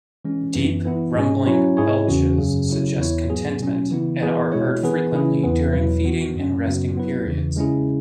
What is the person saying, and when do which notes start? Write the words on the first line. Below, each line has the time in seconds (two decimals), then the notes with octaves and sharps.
Deep, rumbling belches suggest contentment and are heard frequently during feeding and resting periods.
0.25 E3 G#3 C#4
0.55 F#2 E3 B3
0.85 E3 B3 E4
1.15 G#2 G#3 C#4 G#4
1.46 F#3 C#4 E4 C#5
1.77 G#2 G#3 E4 G#4 C#5
2.07 E2 C#3 E3 C#4 F#4
2.38 F#2 C#3 F#3
2.68 C#3 F#3 E4 C#5
3.00 E2 E3 B3 E4 C#5
3.30 G#2 F#3 B3 G#4
3.61 B2 F#3 C#4
3.91 C#3 E3 B3 E4
4.21 E3 B3 G#4 B4
4.52 B2 G#3 E4 C#5
4.83 E3 B3 G#4 B4
5.12 C#3 E3 C#4 E4 G#4
5.43 E2 E3 B3
5.73 E2 B2 F#3 E4 B4
6.04 E3 B3 F#4
6.35 F#2 F#3 C#4
6.65 F#2 C#3 F#3 B3 F#4
6.95 F#3 B3 E4 B4
7.26 E2 C#3 E3
7.56 C#3 G#3 C#4 E4 G#4